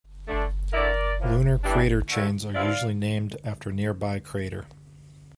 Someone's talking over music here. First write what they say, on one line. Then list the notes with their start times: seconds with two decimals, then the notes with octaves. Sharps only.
Lunar crater chains are usually named after nearby crater.
0.27 D3 A3 D4
0.72 D3 A3 E4 A#4 D5
1.17 A2 F3 A#3 D4
1.62 E3 G3 D4
2.09 G2 D3 A3
2.53 G2 F3 A3 C4 E4 D5 F5